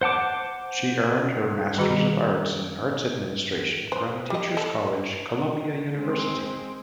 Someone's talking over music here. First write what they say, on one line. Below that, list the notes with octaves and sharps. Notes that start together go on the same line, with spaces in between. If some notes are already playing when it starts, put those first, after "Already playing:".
She earned her Masters of Arts in Arts Administration from Teachers College, Columbia University.
C5 F#5 A5 D6
D#3 G3 F#4 G#4 A#5
B4 C5
G3 D#5
A4
G#3 C4